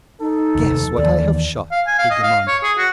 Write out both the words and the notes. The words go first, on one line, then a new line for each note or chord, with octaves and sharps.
"Guess what I have shot," he demanded.
D#4 A4
F1 D#2
D#2 E3 D5
F5
G#5
F5
D#5
F5
C#5
G#4
F#4